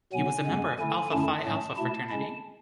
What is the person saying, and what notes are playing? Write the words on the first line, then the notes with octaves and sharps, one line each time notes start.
He was a member of Alpha Phi Alpha fraternity.
B2 F#3 B3 G#5
F#2 C#3 G#3 B3
D3 A3 E4 G#5
F#2 D3 A3 C#4 E4 A5
A2 F#3 A3 C#4
B2 A3 E4 A5
C#3 G#3 C#4 E4